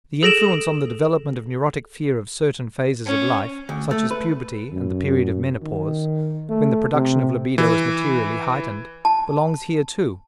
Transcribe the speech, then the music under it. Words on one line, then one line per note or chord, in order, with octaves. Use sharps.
The influence on the development of neurotic fear of certain phases of life, such as puberty and the period of menopause, when the production of libido is materially heightened, belongs here too.
G#4 A4 A#6 D7 E7 F#7
C#4
D2
A3
B4
F#2
D#3
A3
C3
E3
A5